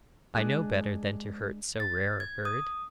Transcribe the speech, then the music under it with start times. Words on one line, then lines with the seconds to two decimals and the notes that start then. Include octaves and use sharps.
I know better than to hurt so rare a bird.
0.34 G#3 D4 G#4 F#6
1.80 A6
2.20 G#6
2.45 D#6